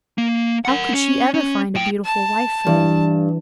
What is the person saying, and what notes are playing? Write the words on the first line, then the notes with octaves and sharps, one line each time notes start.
How could she ever find a beautiful wife for me?
A#3
A#4 F#5
C#4
C#4
A2 G5
A5
G2 E3